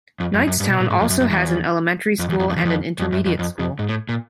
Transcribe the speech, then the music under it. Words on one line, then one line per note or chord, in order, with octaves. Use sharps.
Knightstown also has an elementary school and an intermediate school.
F2
F#2
F#2
G2
B2
A#2
G#2
F2
F#2
F#2
E2
F2
E2
F2
F2
E2
F2
F2
F#2
F2
F2
F2
G#2
A2
A#2